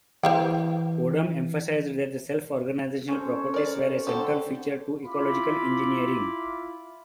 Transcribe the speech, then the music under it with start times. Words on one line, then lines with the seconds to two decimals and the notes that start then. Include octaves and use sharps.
Odum emphasized that self-organizational properties were a central feature to ecological engineering.
0.23 E3 C5 F5 G5
3.09 C#4 A4 C5
3.54 A#4 D5
4.07 D3 G4 A4 C5
5.06 E4 F4 B5 D6